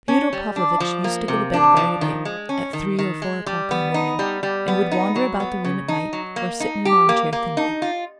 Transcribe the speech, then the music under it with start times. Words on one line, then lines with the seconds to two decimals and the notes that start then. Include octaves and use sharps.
Fyodor Pavlovitch used to go to bed very late, at three or four o'clock in the morning, and would wander about the room at night or sit in an arm-chair, thinking.
0.08 C#4
0.33 G3
0.56 D4
0.80 F3
1.04 A#3
1.28 C3
1.54 D4
1.77 F3
2.01 D#3
2.25 G#3
2.49 C#4
2.73 D#3
2.99 D#3
3.22 G#3
3.46 G3
3.71 B3
3.94 D#4
4.19 G3
4.43 G3
4.68 B3
4.91 D#4
5.16 F#3
5.40 B3
5.64 C#3
5.88 D#4
6.13 F#3
6.36 A#3
6.60 D#4
6.85 G4
7.09 A#3
7.33 A#3
7.57 D#4
7.82 F4